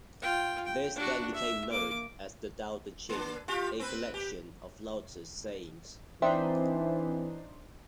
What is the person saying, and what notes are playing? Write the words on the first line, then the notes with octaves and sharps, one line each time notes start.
This then became known as the "Dao De Jing", a collection of Laozi's sayings.
F4 G5
G5
D4 F#4
E5
A#3 D6
A#3 D4
F4 G4
C4 B4
G4
E3 C4 D4 D#4 C5 E5